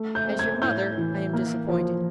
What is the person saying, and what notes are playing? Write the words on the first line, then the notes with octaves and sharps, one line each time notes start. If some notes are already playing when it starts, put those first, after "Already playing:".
As your mother, I am disappointed.
Already playing: A3
G6
C4
G#6
A2 G6
E3
A#3
F3